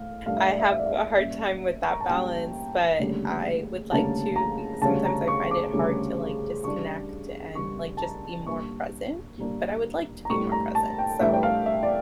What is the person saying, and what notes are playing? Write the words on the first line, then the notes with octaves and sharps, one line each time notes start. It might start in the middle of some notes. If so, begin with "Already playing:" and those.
I have a hard time with that balance, but I would like to because sometimes I find it hard to, like, disconnect and, like, just be more present, but I would like to be more present. So,
Already playing: A2 F5
A2 G3 D4 F5
E5
D5
E5
E5
D5
E5
A#2 G3 C#4 E5
C#6
A#5
A5
A#2 G3 C#4 G5
D2 C#3 G3 A#3 C#4
D2 C#3 G3 A#3 C#4 A5
A#5
D2 C#3 G3 C#4 A5
A#5
C#6
D6
D2 C#3 G3 C#4
C#3 G3 D4 C#6
C#3 G3 D4 C#6
A5
A#5
A#2 G3 A#3 D4 C#6
A#2 G3 A#3 D4
A#5
A2 G3 D4 C#6
A#5
A5
G5
A2 G3 D4 E5
G5
F5
E5
D5